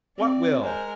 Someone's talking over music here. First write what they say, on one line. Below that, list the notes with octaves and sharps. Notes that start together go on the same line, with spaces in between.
"What will?"
C4 D5
G#3 A#4 C5